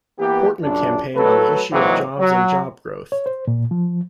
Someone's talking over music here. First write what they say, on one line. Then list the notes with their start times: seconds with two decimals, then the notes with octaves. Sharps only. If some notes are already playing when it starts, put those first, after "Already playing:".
Portman campaigned on the issue of jobs and job growth.
0.19 E3 A#3 B3 G4
0.62 A#1 F#2 D4
1.15 F#3 A3 A4 B4
1.71 G#2 E3 F#3 G#3 A#3 C4
2.19 F#3
3.12 C#5
3.26 C5
3.48 A#2
3.71 F3